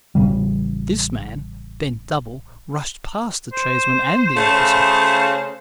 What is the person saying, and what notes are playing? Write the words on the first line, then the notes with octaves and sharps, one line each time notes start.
This man, bent double, rushed past the tradesman and the officer.
A1 C#3 G3
C5
C#3 A3